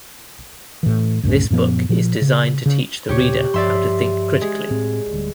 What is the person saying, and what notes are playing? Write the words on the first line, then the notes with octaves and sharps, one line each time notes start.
This book is designed to teach the reader how to think critically.
A2 E3
C2 F#2 A2 C#4
F#2 A#2 F3 B3
A#2 F3
C#3
C#3
D#2 A#2 C#3 G4 C#5
G2 F3 D5 E5 C6
G#3
A2 C4
D1 D2 G3